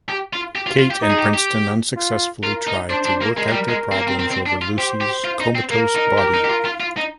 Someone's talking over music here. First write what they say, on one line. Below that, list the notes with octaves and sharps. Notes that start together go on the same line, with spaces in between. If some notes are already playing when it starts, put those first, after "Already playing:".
Kate and Princeton unsuccessfully try to work out their problems over Lucy's comatose body.
G4
F4
G4
F4
F4
G4
D#4
G#4
G4
G4
F4
F4 A#4
D#4
D4 C5
D4
A#3
G#3 A#4
G#3
G3
G#3
C4
A#3
C4
C4
C4
D4
F4
G4 C5
G4
F4
D#4
C4
A#3 A#4
D#4
G4
D#4
G4
F4
F4
F4
D#4